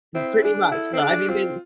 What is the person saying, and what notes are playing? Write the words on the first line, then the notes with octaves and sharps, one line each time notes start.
M pretty much. Well, I mean they
C4 E4
D4 G#4
E4 A4
C4
D4 G#4
C4 F4